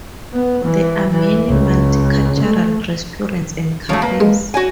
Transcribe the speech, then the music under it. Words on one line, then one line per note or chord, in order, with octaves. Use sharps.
There are many multicultural restaurants and cafes.
B3
E3
E3
C#2
A3
F3 F#3 A3 C#4
A#3 B4 B5
G#3
F#4 C#5 G#5